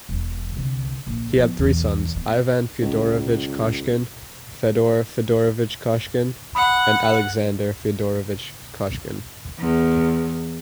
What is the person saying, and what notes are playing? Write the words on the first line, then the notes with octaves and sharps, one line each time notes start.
He had three sons: Ivan Fyodorovich Koshkin, Fedor Fedorovich Koshkin, and Alexander Fyodorovich Koshkin.
E1 E2
C2 D3
A#1
F3 B3
B1 E2
B3
C#2
F#5 B5 D#6
E2